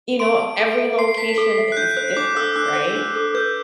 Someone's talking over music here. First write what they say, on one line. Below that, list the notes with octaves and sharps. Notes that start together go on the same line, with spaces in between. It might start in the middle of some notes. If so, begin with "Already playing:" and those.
you know, every location is different, right?
C6 D7
A5
A4
E5
C6 C7
C7
A5 B6
B6
A4
E5
F#6
D4 G6
C5 F#6
D4 D6
A4 E6
D4 F#6
C5
D4
A4
B4 G6